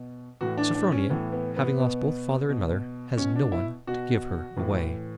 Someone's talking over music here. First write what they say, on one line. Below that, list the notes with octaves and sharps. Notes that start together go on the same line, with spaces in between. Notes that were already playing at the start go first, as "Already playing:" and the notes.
Sophronia, having lost both father and mother, has no one to give her away.'
Already playing: B2
A2 E3 F#4
D4
D4
C#4
A2 E3 B3
B3
B3
B2
B2
B2 C#4
D4
E4
B2 F#4
A2 E3